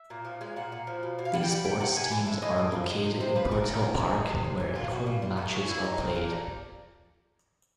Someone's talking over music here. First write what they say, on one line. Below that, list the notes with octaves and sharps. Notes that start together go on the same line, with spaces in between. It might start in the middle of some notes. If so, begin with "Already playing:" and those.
These sports teams are located in Purtell Park where home matches are played.
Already playing: E5
A#2
F3
G#3 F5
A#2 F#5
A#2
F3
B2
B2
F5
G3 F#5
G5
G3 F#5
G3 G5
C3 F#5
C3 G#5
E3 A5
G#3 E5
A2 D#5
A2
F3
G#3
C3
C3 C5
F3 B4
A3 A#4
C#3
C#3
F3
G#3
C3
C3
E3
B2 F4
B2 F#4
G3 F4
G3 F4
A3 F#4
C#3 F#4
C#3 E4
F#3 D#4
A#2 C4
A#2 A#3
G3 A3